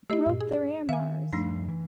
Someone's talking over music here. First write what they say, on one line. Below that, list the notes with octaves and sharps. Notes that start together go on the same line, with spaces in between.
Rop the rameras!
A3 E4 G4 D#5
G2 A#2
G#4
D#3 E5 F5 G#5
F#2 F3 G3 A3 D4 D#4 C7
E3